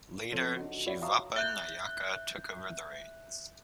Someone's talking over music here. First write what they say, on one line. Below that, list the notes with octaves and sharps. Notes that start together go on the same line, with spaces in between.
Later Shivappa Nayaka took over the reins.
F3 C4 A4 C#5
D4 D#4 F#4
E4 F#4 C#5 D5 E5
E5 F5 A5 A#5 C#6 D#6
E5 F#6 G6